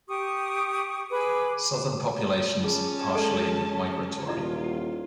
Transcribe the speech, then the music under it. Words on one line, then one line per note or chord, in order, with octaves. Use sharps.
Southern populations are partially migratory.
G4 C#6 D#6
G#4 B4 G#5 D6
C#4 F4 G#4 A5
G#3 A4 D5
D#1 E4 F4 D5 A#5